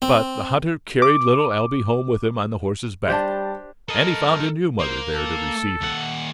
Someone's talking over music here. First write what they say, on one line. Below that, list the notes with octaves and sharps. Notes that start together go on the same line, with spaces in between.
But the hunter carried little Ailbe home with him on the horse's back. And he found a new mother there to receive him.
C4
D6
G3 D4 G4 C5 D5 A5
A4 A#4 D#5
A#3 C5
A4
D#2 F#5